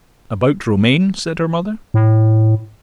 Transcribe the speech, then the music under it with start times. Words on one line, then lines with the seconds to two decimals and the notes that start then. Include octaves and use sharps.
"About Romayne?" said her mother.
1.94 A2